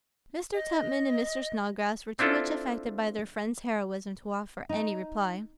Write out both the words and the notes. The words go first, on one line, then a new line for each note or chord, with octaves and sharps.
Mr. Tupman and Mr. Snodgrass were too much affected by their friend's heroism to offer any reply.
D#5
C4 D4 E4 F4 A4
D#4